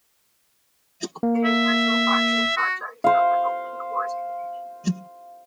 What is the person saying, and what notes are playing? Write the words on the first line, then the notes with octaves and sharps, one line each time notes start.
It is the original flagship project of the OpenCores community.
A#3
E5
F#4
C5 F5